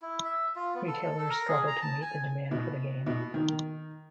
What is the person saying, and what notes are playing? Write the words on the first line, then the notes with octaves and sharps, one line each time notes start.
Retailers struggled to meet the demand for the game.
E4
E5
F4
B3
A4
A4
A4
A#4
G#4
A#5
A5
G#5
B2
B2
D#3